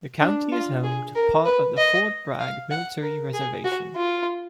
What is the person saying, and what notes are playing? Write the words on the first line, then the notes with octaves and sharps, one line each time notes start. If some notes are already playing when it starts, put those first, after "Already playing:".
The county is home to part of the Fort Bragg military reservation.
D4
F4
G#4
A#4
B4
D#5
F5
F#5
A#4
G#4
F#4
F4